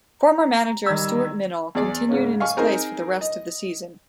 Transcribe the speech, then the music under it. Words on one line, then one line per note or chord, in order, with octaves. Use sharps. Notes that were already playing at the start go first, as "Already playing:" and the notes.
Former Manager, Stuart Minall, continued in his place for the rest of the season.
A#5
D#3 G3 E6 G#6
E2 G#4 D5
G#2 C#3 C#4
F5 G#5 C#6 F6
C4 D#4 G#4 A#4 C5 G#5
D#5